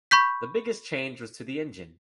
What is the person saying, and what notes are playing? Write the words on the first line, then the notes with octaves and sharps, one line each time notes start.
The biggest change was to the engine.
B5 C#6 G6 B6